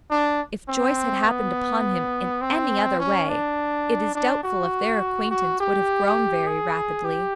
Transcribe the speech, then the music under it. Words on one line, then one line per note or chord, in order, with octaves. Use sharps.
If Joyce had happened upon him in any other way, it is doubtful if their acquaintance would have grown very rapidly.
D4
C4
B3
C4
C#4
D4
D4
F#4
F#4
G4
G#4
G4